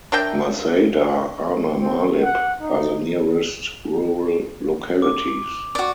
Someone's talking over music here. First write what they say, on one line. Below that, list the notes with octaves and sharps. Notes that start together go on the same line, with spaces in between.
Mazada ana Maalib are the nearest rural localities.
D4 A#4 E5 G5
C4
F#5
D#4
D6
F#4 D5